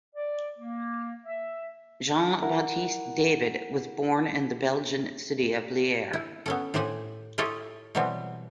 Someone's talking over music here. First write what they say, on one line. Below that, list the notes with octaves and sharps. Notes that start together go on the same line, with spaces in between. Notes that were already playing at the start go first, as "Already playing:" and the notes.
Jean-Baptist David was born in the Belgian city of Lier.
D5
A#3
E5
E4 A#4 F#5
E4
B3 C#4 A4
A2 G4 C5 F#5 G#5
E4 F4 G4 A4 C#5 D#5
B2 E3 F#3 G3 B3 C4